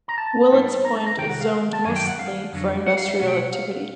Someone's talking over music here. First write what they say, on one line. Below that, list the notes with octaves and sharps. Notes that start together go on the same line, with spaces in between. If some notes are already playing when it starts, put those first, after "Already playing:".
Willets Point is zoned mostly for industrial activity.
A#5
A5
G#2 E3 G3 B3 D#4
A#5
A5
A#5
C2 C3 D#3 G5
F#5
F5
A5
F#2 D#3 F#3 G#5
G5
F#5
F5
F2 D3 F#3
F#5
F5
E5
B2 F#3 A3 C#4 F#5
G5
F#5
F5